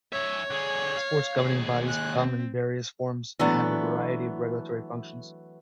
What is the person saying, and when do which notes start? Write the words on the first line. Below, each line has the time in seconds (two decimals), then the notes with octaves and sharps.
Sports governing bodies come in various forms, and have a variety of regulatory functions.
0.12 C#4 C#5 E5
0.51 D3 G#4
0.97 F5
1.36 D#2 G#4
1.88 F#6
2.18 C4
3.39 E3 F#3 A3 B3 D4